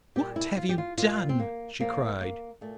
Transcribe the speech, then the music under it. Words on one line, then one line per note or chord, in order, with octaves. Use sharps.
'What have you done?' she cried.
A#2 G3 G4
E4
F4
G4
F4
A#2 G3 F4
C4
A#3
A#2 F3 A#3
A#3
A#2 A3